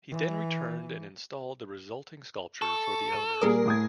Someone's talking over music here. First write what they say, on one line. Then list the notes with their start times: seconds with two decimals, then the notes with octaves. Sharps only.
He then returned and installed the resulting sculpture for the owners.
0.12 E3
2.62 A4 C#6
3.12 D#7
3.42 A#2 G3 G#4 A#4 D#6
3.66 A2 D#6 G#6